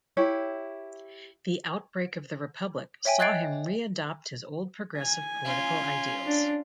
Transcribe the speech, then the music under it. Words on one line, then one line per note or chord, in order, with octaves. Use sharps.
The outbreak of the Republic saw him re-adopt his old progressive political ideals.
E4 G4 C#5
C#5 E5 G5 G#5
D#5 F#6 G#6 A6 C7 D7
G#5
C#4 F4
D4